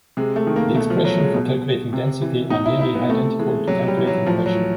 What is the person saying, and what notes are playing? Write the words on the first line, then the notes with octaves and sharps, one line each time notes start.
The expressions for calculating density are nearly identical to calculating pressure.
C3 G#3
A3
D#3
A#3
B2 A3
F3
F#3
G#3
B2
C3
E3
B2 D#4
E4
E4
B3
C3 A3
E3 G#3
C3 F#3
G3
E3
F#3
A2 F3
F#3
E3